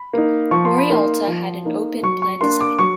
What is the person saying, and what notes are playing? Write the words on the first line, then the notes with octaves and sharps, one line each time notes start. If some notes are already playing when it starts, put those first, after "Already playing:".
Morialta had an open plan design.
Already playing: B5
A#3 D#4
F3 C#6
C6
B5
A#3 D#4 C6
F3
A#3 D#4
F#3 C#6
C#6
A#3 D4 C6
D6
F#3 C#6